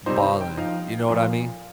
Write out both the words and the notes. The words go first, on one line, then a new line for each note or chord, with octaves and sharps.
balling, you know what I mean?
C3 D#3 G3 D#4 C5
G5
F3 D#4 F5
A#2 F3 A#3